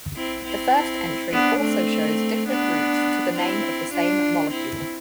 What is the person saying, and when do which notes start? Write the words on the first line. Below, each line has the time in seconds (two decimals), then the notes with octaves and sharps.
The first entry also shows different routes to the name of the same molecule.
0.15 C4 E4
0.44 C4 E4
1.31 B3 D4
1.60 A3 C4
2.48 B3 D4
3.35 C4 E4
3.93 D4 F4
4.51 C4 E4